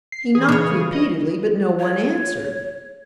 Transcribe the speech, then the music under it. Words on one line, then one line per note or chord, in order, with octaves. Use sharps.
He knocked repeatedly but no one answered.
C7
E3 G#4
C#3 C#5
D#5
C#5